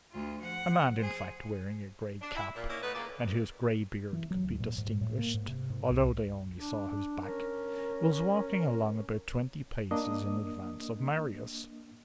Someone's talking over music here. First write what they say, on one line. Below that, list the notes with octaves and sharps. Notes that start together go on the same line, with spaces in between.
A man, in fact, wearing a gray cap, and whose gray beard could be distinguished, although they only saw his back, was walking along about twenty paces in advance of Marius.
D2 F4
F3 F#5
G#4 C5
D4
E4
A#2
A#3 C#4 D#4 E4
A3 B3 D#4 B4
A#2 C#3 A#3 D5
E3
F#3
D2
A#2
G#2
A2
A#3
G#2
C3
G#2
C2
D4
C#4 A#4
A#3 D4 D#5 D#6